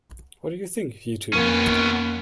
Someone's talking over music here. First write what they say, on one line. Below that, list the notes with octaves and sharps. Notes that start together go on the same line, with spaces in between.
What do you think, you two?
F2 A#3 B3 C#4